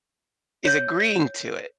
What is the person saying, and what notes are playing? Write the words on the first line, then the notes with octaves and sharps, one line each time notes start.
is agreeing to it,
C#5 G6